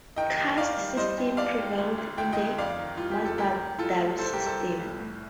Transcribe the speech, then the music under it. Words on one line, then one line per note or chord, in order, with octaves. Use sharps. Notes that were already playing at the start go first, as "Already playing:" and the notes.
Caste system prevailed in the mansabdari system.
D#3 D#5 G5
D#2
D#3 D5 F5
G3
G3 C5 D#5
D#2
D#2 D5 F5
D#2
D2
D2
D2 G5
D#5 G5
D2
F2 D5 F5
D#3
G3 F4
G4
F2
A4
D2 G4 A#4
G3
G3 F4 A4
D2
C2 A4 C5
G4 A#4
C2
A4 C5
F3
C2
A2